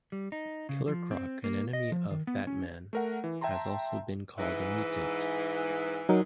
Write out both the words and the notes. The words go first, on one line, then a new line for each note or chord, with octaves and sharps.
Killer Croc, an enemy of Batman, has also been called a mutant.
G3
D#4
C#3
F3
C4
A#3
D#5
F3
D#3
B3
C#4
A3 A#4 F#5
E3
E5 G5 A5 A#5 C6
G#2 E3
E3 F#3 G#3 D#4 A#4